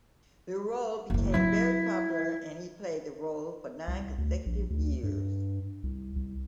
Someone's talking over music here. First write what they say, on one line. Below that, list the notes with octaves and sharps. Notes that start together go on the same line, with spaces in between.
The role became very popular and he played the role for nine consecutive years.
F#1 E3
F#3 C4 E4
C2
D2
A#1
D2
G2
C2
C2